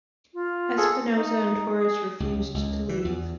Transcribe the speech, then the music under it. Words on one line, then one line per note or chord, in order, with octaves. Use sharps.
Espinoza and Torres refused to leave.
F4
G#4 A4
D#4
G#4
C#2
C#2
E3
E2